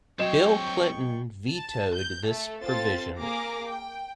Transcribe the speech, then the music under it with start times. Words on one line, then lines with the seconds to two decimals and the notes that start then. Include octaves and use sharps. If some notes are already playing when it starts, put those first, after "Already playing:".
Bill Clinton vetoed this provision.
0.19 F#3 C4 C#5 D#5 G5 C#6 E7
1.50 A5
1.95 G6
2.26 A3 A4
2.64 C4 F4 A4 C5 A6
3.20 A#3 G#4 A#4 A#5 D6
3.68 G5